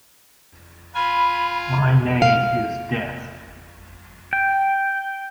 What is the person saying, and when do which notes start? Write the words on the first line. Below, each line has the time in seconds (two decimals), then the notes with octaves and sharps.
My name is death!
0.95 F4 G#5 B5
2.22 F5
4.33 G5